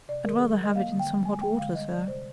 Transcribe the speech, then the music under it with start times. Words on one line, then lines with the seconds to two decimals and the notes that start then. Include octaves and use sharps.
"I'd rather have it in some hot water, sir."
0.08 C3 D5
0.25 D#3 A#4
0.38 G#4
0.42 G3
0.59 G3 D#5
0.75 A#3 F5
0.92 D3
0.99 G5
1.08 F3
1.25 G#3 G#5
1.41 G#3 G5
1.58 D3 F5
1.74 G3 D#5
1.91 C3 D5
2.08 C3 C5